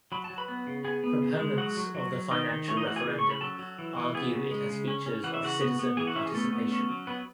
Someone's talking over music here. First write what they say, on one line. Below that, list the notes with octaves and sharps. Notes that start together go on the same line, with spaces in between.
Proponents of the financial referendum argue it has features of citizen participation.
F#3 B5
A5
F#3
B4 B5
B3
C#3
B3 G#4 G#5
B3
C#3
G#3
F#3 F#4 F#5
F#3
F#3
F#3
D#3 D#4 D#5
D#3
A3 C#4 C#5
D#4 D#5
E3 F#4 F#5
G#4 G#5
C#3
C#4 C#6
B5
F#3 A4 A5
F#3
E3
E3
B3 G#4 G#5
C#3
G#3
C#3
C#4
C#4
E3 F#5
E5
C#3 F#4 F#5
B3
B3
E3 G#4 G#5
F#4 F#5
C#4 E4 E5
G#4
A3 B3 A4
B3
C#4
F#3
F#3 B3 B4